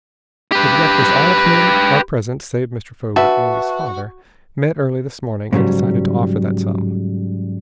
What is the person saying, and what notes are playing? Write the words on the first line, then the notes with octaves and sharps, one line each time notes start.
"The directors, all of whom are present save Mr. Foger, Andy's father, met early this morning, and decided to offer that sum."
G4 B4
F#4 B4 E5 A5
G#2 C#3 F#3 G3